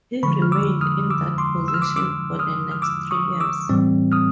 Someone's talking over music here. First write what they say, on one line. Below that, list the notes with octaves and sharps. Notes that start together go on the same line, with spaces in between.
He remained in that position for the next three years.
D3 F3 G#3 B5 C#6
F6
D6 E6
D#6 F6
D6 E6
C6 D6
E6
F6
D6 E6
D6 E6
D#6 F6
F6
D6 E6
C#6 D#6
D6 E6
A2 E3 G3 C4
D#6 F6